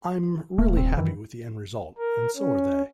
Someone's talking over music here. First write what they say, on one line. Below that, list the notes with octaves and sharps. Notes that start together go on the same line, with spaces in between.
I'm really happy with the end result and so are they.
D#1 A3 A#3
G1 D2 C4
F#2 D#3 E3
A#4
C#4